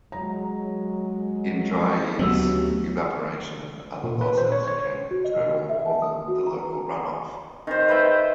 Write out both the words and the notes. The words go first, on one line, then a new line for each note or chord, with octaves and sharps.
In dry years, evaporation and other losses can total more than the local runoff.
F#3 G#3 A#5
D2 F#3 A3 B3 C#4 F#4 G4 E6
A#2
B4
C5
C#5
C#5
F#4
D#5
E5
A5
D#6
F#4
A#5
D#3 C5
B4 C5 E5 G5